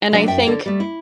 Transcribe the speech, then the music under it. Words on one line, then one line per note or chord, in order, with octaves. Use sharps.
and I think
C3 F#3 D4 D#5 E5
F#2 E5 G5
D3 A4 C#5
G3 A3
E4